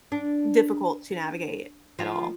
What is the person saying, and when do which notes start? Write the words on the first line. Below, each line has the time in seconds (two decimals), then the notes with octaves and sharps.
difficult to navigate, at all.
0.12 D4
1.99 F3